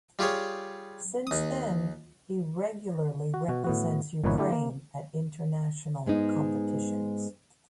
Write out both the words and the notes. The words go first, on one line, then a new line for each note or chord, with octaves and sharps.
Since then he regularly represents Ukraine at international competitions.
G3 F4 G4 G#4 C#5
D#2 D#6
F#4
B2 F#4
A2 B3 F#4
G1 A#2 E3 D#4 B4 C#5
D3 A3 E4 G4
A#3
G#2 G#3 B3 D#4